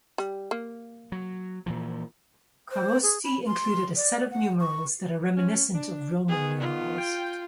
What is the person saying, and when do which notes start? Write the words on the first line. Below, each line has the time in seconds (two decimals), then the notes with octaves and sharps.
Kharosthi included a set of numerals that are reminiscent of Roman numerals.
0.18 G3
0.51 A#3
1.12 F#3
1.66 A#2 E3 F3
2.71 C5
3.03 G#4
3.24 B5
3.46 C6
3.96 D5
4.31 F#5
4.60 C#6
5.36 C#4
5.74 D4
6.28 D#3 B3 G#4
6.60 F4
6.98 G5